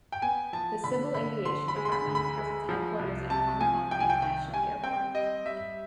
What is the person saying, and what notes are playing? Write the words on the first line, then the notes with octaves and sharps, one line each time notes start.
The Civil Aviation Department has its headquarters at Hong Kong International Airport.
G5
B3 G#5
F3 A5
D3 B5
D3 B5
D3 C6
B5
G#3
C6
B5
D2
B5
G#3
F3
C2
C3 A5
F3 G#5
C2 G5
G#5
G5
D#3 G5
G3 G#5
C4 G5
G3 D#5
G3 E5